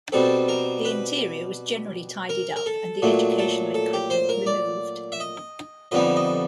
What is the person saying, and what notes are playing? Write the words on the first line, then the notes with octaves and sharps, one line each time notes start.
The interior was generally tidied up and the educational equipment removed.
B2 G3 C4 A4
A#4
B4
A#4
A#4
A4
A#2 F#3 A3
A4
A4
G4
C5
A#4
D5
E5
D#5
F2 D3 G3 B3 D#4 D#5
D#5